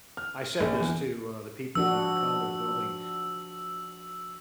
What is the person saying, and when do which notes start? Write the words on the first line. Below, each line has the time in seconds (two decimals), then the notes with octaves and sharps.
I said this to, uh, the people in our condo building,
0.17 F6
0.60 A#1
0.81 E2
1.75 F3 D4 F#4 E6